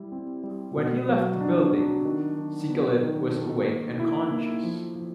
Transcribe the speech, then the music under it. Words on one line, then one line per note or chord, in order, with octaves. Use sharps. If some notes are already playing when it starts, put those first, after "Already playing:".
When he left the building, Sigalet was awake and conscious.
Already playing: G3 E4
C4
G3
B2
F#3
D4
D4
D#3
D#3
B3
D#3
A4
A#3
E4
A#3
F3
F3